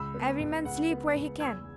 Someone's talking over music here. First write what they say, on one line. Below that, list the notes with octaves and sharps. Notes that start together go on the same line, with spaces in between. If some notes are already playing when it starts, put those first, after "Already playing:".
'Every man sleep where he can.
Already playing: C#2 B5 E6
B3
C#2
C#2 F#5
B3
C#2
E2 E6 G#6